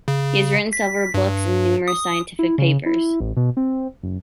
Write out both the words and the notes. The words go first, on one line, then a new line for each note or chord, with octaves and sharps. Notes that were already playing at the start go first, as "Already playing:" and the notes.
He has written several books and numerous scientific papers.
C#3
B6
G2
D#6
E4
C#3
E4
A1
B2
C4
F#1